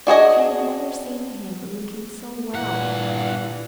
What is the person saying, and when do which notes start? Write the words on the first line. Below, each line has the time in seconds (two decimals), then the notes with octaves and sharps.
She had never seen him looking so well.
0.07 D4 F#4 G#4 D#5
2.54 G2 A#2 E3 F#5